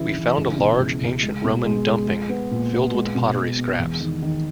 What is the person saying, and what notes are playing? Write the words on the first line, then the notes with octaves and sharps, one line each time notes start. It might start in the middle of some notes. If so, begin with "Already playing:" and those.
We found a large ancient Roman dumping filled with pottery scraps.
Already playing: C#3 E3 E4
E3
C#2
B2
C#2
C#2
G#3
B2
G#3
G#3
G#3
B3
A#2
B3
G#3
B2
G#3
B3
E2
D#3
D#3